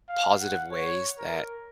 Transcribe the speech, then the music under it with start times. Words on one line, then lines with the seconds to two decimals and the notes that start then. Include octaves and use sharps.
positive ways that,
0.08 F5
0.40 F#5
0.71 C#5
1.18 A#4